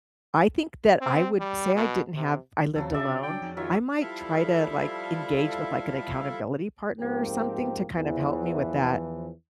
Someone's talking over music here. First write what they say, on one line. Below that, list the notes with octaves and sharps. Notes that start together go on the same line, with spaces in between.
I think that I would say I didn't have I lived alone. I might try to, like, engage with, like, an accountability partner or something to kind of help me with that.
C4
G3
B2
C3
D#2 C#3 F3 F#3 C4 A4
C#3 D4 D5 E5
D4 G5
F2 D#4 G#4
D#3 F#3 C#4 F4 E5
F3 G3 E4 A4 E5 F5
G#2 F3 A#3 C4 G4 A#4
E2 E3 F3